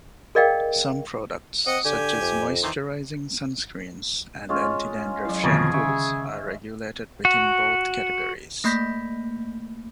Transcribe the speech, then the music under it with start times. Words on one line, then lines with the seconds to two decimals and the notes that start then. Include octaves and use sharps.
Some products, such as moisturizing sunscreens and anti-dandruff shampoos, are regulated within both categories.
0.35 G#4 A#4 D5 D#5 F5 G5
1.67 C4 D#5 F#5 D#6
1.85 D3 G4 G#5
2.21 F2
2.63 D#3 E3 C5
4.49 G#3 C#4 F4
5.25 F#3 E4
5.44 F2 B2 D3 D#3 F3 G#4
5.74 C#3 E5
7.25 F#4
8.64 A3 A#3 B5 G6 A#6 B6